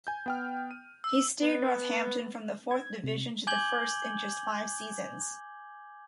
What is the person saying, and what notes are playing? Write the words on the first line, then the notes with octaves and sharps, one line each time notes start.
He steered Northampton from the Fourth Division to the First in just five seasons.
G#5 G6
B3 G5 F6
D#7
E6
B3
G#6
C3
G#5 D6 G6 G#6 F#7 G7